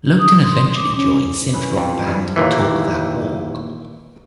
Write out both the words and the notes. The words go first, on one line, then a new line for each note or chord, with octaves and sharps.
Lugton eventually joined synth rock band Talk That Walk.
D#6
C6
D6
C#4
E3 C#4 B4
F2
G2 E3
D#2 A#2 E3